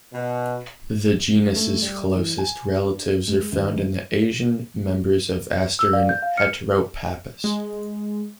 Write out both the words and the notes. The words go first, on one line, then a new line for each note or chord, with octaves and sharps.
The genus's closest relatives are found in the Asian members of "Aster" and "Heteropappus".
B2
A3
G3
E3
G#5
D4
G#3
G#1
E6
D5 F5
G6
F5
F6 C#7
G#3